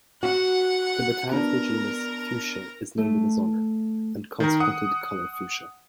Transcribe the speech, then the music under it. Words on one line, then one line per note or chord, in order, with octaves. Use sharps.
The botanical genus "Fuchsia" is named in his honour, and consequently the colour fuchsia.
F#4 F#5
B3 D4 A#4 A#5
A3
D#3 A#4
F#5 D#6